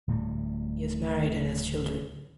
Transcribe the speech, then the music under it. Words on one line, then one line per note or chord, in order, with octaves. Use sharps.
He is married and has children.
D1 D2 A2 G3